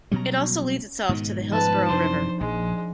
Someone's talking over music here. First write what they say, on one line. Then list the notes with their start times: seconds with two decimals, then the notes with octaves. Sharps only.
It also leads itself to the Hillsborough River.
0.11 B2 F#3 G3 C#4 A#5
1.09 G#2 B2 D#3
1.51 F3 D#4 B4 A5
1.88 F#2 C3 E3 C4 D4 C5
2.41 A#1 G#3